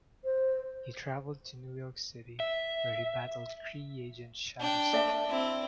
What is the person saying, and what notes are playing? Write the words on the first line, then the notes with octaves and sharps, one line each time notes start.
He traveled to New York City, where he battled Kree agent Shatterstar.
C5
E5
D4 G5
D5 E5 A5
C4 E4